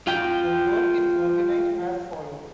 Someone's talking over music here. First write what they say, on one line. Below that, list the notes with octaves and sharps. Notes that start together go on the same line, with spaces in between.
The work is organised as follows.
F4 G5